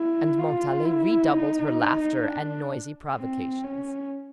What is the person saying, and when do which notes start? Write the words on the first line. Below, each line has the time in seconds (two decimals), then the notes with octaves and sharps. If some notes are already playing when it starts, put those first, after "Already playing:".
And Montalais redoubled her laughter and noisy provocations.
Already playing: E4
0.39 F4
0.84 E4
1.31 D#4
2.23 D4
3.17 C4
3.63 C#4